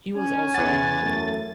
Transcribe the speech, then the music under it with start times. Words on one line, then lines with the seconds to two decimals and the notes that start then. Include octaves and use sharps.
He was also a mohel.
0.17 C#4 G#5
0.54 E2 F#5 A6
1.01 F#2 A3